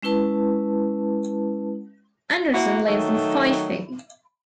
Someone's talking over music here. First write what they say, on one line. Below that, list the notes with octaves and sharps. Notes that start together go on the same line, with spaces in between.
Anderson lives in Fife.
G#3 C#4 E4 B4 A5
A#3 E4 F#4
D#3 F#3 A3